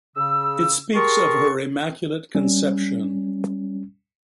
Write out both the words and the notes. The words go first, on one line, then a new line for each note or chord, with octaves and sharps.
It speaks of her immaculate conception.
C#3 E6
G4 G#4 A#4 A5 C6 C#6
G3 C#4